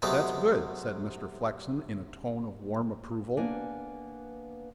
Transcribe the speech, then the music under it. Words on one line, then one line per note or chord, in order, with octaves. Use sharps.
"That's good," said Mr. Flexen in a tone of warm approval.
F#2 C3 G#3 A3 B3
A#3 B3 D4 B4 G#5